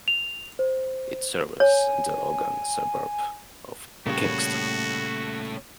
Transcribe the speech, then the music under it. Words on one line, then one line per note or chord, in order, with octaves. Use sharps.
It serves the Logan suburb of Kingston.
F7
C5
C#5 G#5
A#2 C#3 G3 A3 F#4 C#5